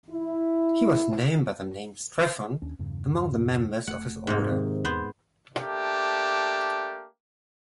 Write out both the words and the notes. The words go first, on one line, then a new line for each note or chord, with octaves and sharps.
He was known by the name Strephon among the members of this order.
E4
D#2 C#4 D4
E2 G2 C#3
F1 A3 F#5
G#2 C3 A#3
D#3 C4
E2 G#2 B3 C5
A3 A#3 D4 G4